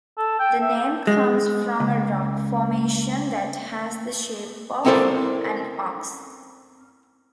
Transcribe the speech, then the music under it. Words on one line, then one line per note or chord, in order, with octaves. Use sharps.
The name comes from a rock formation that has the shape of an ox.
A4
G5
E5
G#3
C#2
C4 E4 A4 A#4 C5 D5